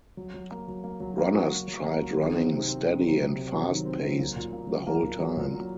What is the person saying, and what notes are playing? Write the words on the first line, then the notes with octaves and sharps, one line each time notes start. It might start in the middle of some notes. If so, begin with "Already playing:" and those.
Runners tried running steady and fast-paced the whole time.
F#3
F#3
A#3
F#3
A#3
F#3
A#3
F#4
F#3
F#3
A#3
F#3
D#3
C4
C3
C4
C4
F#3
C3
C3
F#3
D#3
C4
F#3
A#3
A#2
A#3
F#3
A#3
A#2
F#3
A#2
F#3